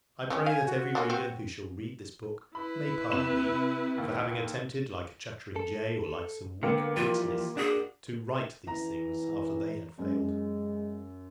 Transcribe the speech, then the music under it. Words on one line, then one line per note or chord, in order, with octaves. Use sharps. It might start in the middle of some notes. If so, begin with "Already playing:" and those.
I pray that every reader who shall read this book, may pardon me, for having attempted, like a chattering jay, or like some weak witness, to write these things, after they had failed.
E3 C#4 G4
F5 G#5
F#4
D3 A#3 C#4
C4
E4 B4 B5
C3 B5 E7
D#2
A4
D3 A#3 B3 G5 C#7
E3 F3 G3 F4
D4 F#4 G#4
E3 A#5
F#2 G#3